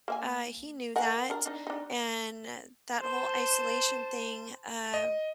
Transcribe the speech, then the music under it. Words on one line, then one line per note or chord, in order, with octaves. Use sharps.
uh, he knew that, and that whole isolation thing, uh,
A#3 E5 G#5
A#4 F#5 G#5
D4 A#4
D4 D#4
D4 D#4
C5 A5
D#5